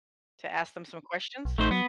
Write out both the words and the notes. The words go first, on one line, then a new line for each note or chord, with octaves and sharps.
to ask them some questions?
B1
A1 A3 D#4 C5
F#3 B3